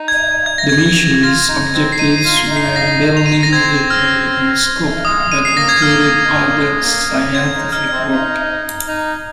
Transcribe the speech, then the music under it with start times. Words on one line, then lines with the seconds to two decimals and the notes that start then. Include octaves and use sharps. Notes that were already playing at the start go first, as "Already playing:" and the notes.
The mission's objectives were mainly military in scope, but included other scientific work.
Already playing: D#4
0.08 G#6
0.46 G#6
0.58 A#6
0.69 G#6
1.23 F4 A#6
1.49 D#4
1.74 C4
1.92 C7
1.99 D#4 D#7
2.18 D#7
2.25 F4
2.37 C7
2.51 D#4
2.57 C7
2.76 A#6
3.17 F7
3.26 D#7
3.34 C7
3.43 A#6
3.52 C4 G#6
3.90 F6
5.05 G#3 D#6
5.31 G#3 D#7
5.45 C7
5.56 A#3 A#6
5.69 G#6
5.82 A#3 F6
6.25 D#4
6.37 C4
6.47 A#3
6.58 G#3
6.83 A#3
7.08 A#3
7.34 C4 G#6
7.54 D#4
7.73 D#4 F6
7.91 C4
8.12 D#4
8.88 D#4